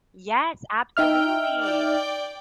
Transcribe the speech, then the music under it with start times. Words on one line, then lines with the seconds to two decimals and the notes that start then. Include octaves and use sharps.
Yes, absolutely.
0.97 D#4 E5 G5 F6
1.60 D5 G5